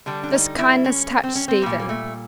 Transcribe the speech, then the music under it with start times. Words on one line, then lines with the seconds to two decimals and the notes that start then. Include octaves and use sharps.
This kindness touched Stephen.
0.06 D3 G3 D4
0.23 D4
0.32 D#4
0.58 E4
0.84 C#4
1.23 C4
1.35 C#4
1.48 C4
1.62 A#2 G3 A#3
1.79 A#3
1.89 A3